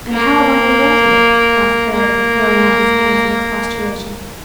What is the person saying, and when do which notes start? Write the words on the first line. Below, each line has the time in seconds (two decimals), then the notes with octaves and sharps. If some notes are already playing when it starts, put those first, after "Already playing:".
"And how have I neglected it?" asked Ferrier, throwing out his hands in expostulation.
0.11 A#3
1.93 A#3